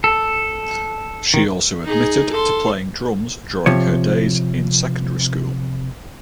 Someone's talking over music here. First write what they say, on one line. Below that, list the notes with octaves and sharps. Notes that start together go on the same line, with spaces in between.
She also admitted to playing drums during her days in secondary school.
A4
D#3
D#4 G#4
A4 C6
C3 F3 C#5